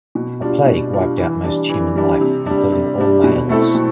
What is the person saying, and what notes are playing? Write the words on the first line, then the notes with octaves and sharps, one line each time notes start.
A plague wiped out most human life, including all males.
B2
G3 D4 F4
B2
G3 D4 F4
E3
G3 D4
E3
G3 D4
C3
G3 D4
C3
G3 D4
B2
A3 C4 E4 A4
B2